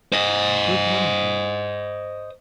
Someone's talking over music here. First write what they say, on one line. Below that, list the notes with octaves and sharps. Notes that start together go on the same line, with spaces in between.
Good money, Gregg.
C5 D#5